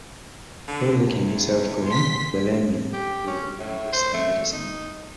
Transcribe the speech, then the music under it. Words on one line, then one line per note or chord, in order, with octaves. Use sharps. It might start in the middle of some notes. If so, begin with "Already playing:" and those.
Through licking itself clean, the lemming will ingest the medicine.
D3
E2
C6 B6
G4
C#4
A2
C5
A3
D#4